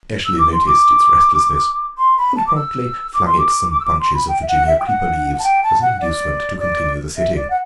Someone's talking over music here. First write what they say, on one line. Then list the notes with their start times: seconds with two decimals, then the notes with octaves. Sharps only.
Eshley noticed its restlessness and promptly flung it some bunches of Virginia creeper leaves as an inducement to continue the sitting.
0.25 E6
0.38 D6
0.52 C6
0.66 D6
1.97 C6
2.17 B5
2.36 A5
2.46 D6
2.55 E6
3.13 D6
3.25 C6
3.37 D6
3.70 D6
3.79 E6
3.84 D6
3.99 C6
4.13 B5
4.28 G5
4.41 E5
4.48 F#5
4.66 E5
4.79 G5
4.86 F#5
5.38 A5
5.43 G5
5.63 A5
5.81 F#5
6.00 D5
6.59 D5
7.16 E5
7.35 D5
7.50 F#5